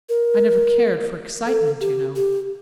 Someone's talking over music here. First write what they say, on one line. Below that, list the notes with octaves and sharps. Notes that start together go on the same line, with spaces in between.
I never cared for excitement, you know.
A#4
A4
G4
G4